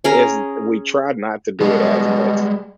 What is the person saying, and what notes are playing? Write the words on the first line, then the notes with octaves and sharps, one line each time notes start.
is we tried not to do it as much
C#4 G#4 A#4
B2 G3 G#3